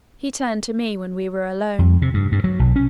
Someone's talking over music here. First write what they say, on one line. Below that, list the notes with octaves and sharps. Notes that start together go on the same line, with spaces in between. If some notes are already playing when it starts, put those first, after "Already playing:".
He turned to me when we were alone.
F2
C3
G2
G2
F#3
B1
C#4